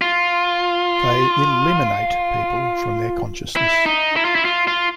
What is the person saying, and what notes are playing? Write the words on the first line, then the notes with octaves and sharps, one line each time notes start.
They "eliminate" people from their consciousness.
F4
E4
D#4
E4
F4
E4
F4
F4